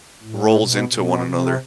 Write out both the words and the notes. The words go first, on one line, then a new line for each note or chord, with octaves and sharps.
rolls into one another.
A2
B2
B2
C3